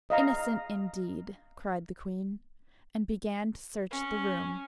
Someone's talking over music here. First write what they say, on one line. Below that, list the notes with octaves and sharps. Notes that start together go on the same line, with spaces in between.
"Innocent, indeed!" cried the queen, and began to search the room.
D#5 F5 A#5
C#4